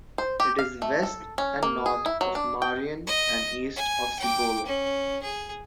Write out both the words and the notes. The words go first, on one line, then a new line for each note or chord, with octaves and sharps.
It is west and north of Marion and east of Cibolo.
C5
G4
F5
A3
A4
C#4
A#3
G#4
E4
F#3
D4
G5
D#5
G#5
G5 D6
C#4
G#4